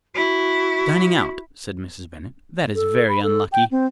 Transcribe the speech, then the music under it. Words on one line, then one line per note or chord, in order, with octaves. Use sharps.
"Dining out," said Mrs. Bennet, "that is very unlucky."
E4 F#4
A4
B5
A4
G5
C4